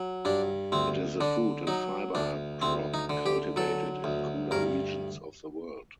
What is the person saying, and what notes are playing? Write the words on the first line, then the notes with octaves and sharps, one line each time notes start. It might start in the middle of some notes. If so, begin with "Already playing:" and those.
It is a food and fiber crop cultivated in cooler regions of the world.
Already playing: F#3
G2 D4
D2 C4
D3 D4
F#3 D#4
D2 D4
D2 C4
D#4
D3
G4
F#3 A4
D2
G2 A#4